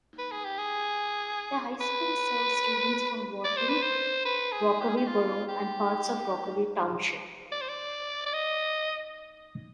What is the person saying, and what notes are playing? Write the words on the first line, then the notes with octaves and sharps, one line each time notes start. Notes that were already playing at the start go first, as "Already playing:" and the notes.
The high school serves students from Wharton, Rockaway Borough and parts of Rockaway Township.
B4
G#4
G4
G#4
B4
D5
C5
B4
C5
B4
G#4
G4
G#4
G4
F4
G4
D5
C5
D5
D5
D#5